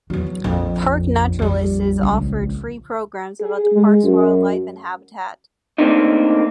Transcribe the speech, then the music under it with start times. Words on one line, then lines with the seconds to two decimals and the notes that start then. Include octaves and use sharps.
Park naturalists offered free programs about the park's wildlife and habitat.
0.10 E2 F#3
0.44 A#1 F2
1.39 F2 G3
2.03 C#2
3.41 G#4
3.73 G#3
4.04 F#2
5.78 A3 A#3 C4 D4 D#4